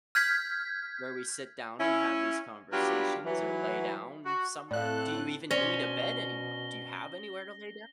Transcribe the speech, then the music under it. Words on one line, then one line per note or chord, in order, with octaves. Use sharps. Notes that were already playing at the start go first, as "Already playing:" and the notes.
where we sit down and have these conversations or lay down somewhere. Do you even need a bed anymore? Do you have anywhere to lay
F6 G6 G#6 B6
C#4 E4
F#3 G3 B3 D4 F4 G4
E3 F#3
F#4
A2 C4 A4 D5 F5 F#6
B2 C#4 C5 D5 A#6 G7